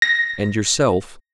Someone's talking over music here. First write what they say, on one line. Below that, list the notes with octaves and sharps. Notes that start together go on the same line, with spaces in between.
"And yourself?"
A#6